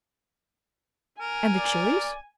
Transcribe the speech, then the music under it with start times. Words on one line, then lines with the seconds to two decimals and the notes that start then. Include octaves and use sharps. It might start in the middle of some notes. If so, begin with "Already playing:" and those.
"And the chilis?"
1.21 A#4 G#5
1.57 D5